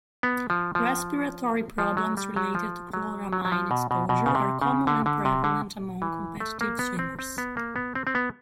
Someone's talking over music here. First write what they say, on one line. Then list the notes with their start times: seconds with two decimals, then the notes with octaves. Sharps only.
Respiratory problems related to chloramine exposure are common and prevalent among competitive swimmers.
0.23 B3
0.50 F3
0.75 F3
1.78 F3
1.97 F#3
2.17 G3
2.36 F#3
2.55 F3
2.93 F#3
3.33 F#3
3.45 F#3
3.52 F3
3.71 B2
3.91 B2
4.09 B2
4.26 C#3
4.35 C3
4.62 C#3
4.87 D3
5.06 D3
5.25 C3
5.44 D3
6.02 E3
6.40 A3
6.61 A#3
6.79 B3
6.99 C4
7.19 C4
7.38 B3
7.57 A#3
7.76 B3
7.95 C4
8.07 C4
8.15 B3